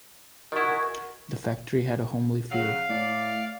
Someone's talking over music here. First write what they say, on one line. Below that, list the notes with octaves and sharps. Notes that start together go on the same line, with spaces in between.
The factory had a homely feel.
D#3 E4 F#4 A#4 D#5 G#5 C#6
C#3 F#3 F5
A2 D5